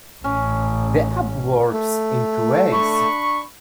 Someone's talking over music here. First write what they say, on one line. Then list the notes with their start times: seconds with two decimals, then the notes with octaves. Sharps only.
The app works in two ways.
0.24 A1 C#4
1.72 A3
2.72 D4 B5 C#6